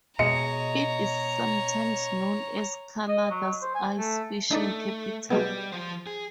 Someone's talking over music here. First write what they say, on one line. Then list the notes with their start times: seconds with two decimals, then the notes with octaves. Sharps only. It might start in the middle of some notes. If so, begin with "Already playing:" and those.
It is sometimes known as Canada's ice fishing capital.
0.19 B2 G#3 C#5 D#5 A#5 C#7
3.08 D#5
3.30 F#3
3.62 C5
3.75 G#5
3.98 A3
4.51 A3 D4 D#4 D5
5.31 B2 G3 G#3 B3
5.72 F3 C5
6.07 G#4